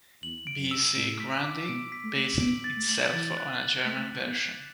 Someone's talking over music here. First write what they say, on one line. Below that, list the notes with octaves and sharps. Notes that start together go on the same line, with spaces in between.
B. C. Grundy, based itself on a German version.
E2 F#7
D7
F#2
E6
A2 D7
B6
D6
B2 D7
B6
A3
F#7
B3 D7
A6
A3
F#7
E3 A6
F#6
F#7
A3 B6
F#6
B3
E7